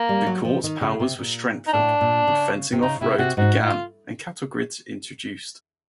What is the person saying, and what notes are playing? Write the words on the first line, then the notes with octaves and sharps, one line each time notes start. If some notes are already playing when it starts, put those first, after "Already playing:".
The Court's powers were strengthened, and fencing of roads began and cattle grids introduced.
Already playing: A#3
G3
F#3
F3
D#3
C#3
C3
A#2
D#4
A2 D4
A#2
C#3
C3
C#3 D#4
C3 E4
C3 F#4
G#2 F#4
A2
F4